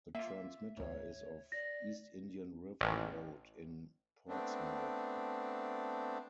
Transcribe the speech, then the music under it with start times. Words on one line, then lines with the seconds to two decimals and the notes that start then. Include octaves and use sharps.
The transmitter is off East Indian River Road in Portsmouth.
0.15 A#3 F4 E5
0.77 D2 G#2 C#5
1.52 D5 A#6
2.81 A1
4.29 A3 B3 C4 D4